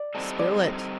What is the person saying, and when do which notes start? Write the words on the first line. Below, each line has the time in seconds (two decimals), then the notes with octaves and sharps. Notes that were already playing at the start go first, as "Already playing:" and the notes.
"Spill it."
Already playing: D5
0.15 G3 C4 D#4 A4
0.39 D5